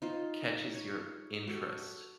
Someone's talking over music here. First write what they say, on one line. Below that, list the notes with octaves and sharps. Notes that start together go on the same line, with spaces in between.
catches your interest,
D#4 F4 C5
C#5
F#4 G4 A4